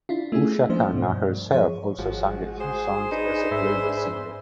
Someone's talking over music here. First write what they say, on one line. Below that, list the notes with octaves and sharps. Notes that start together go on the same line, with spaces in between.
Usha Khanna herself also sang a few songs as a playback singer.
D4 E4 F4
A3 C#4 E4 G#4
F3 G#3 A#3 D4 C5
G#2 B2
G2
F3 G#4 C#5
G#1 F3 G#3 F#4
G#4 C5
D4 D#4 G#4 B4
G#2 E5